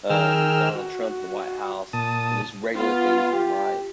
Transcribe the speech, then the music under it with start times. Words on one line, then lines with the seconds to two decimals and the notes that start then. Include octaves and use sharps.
um, Donald Trump in the White House and his regular things in life,
0.10 D#3 G#4 A#4 G5 E6 F6
0.75 F#4
1.93 A#2 A5 D#6
2.76 B3 F4
3.32 G4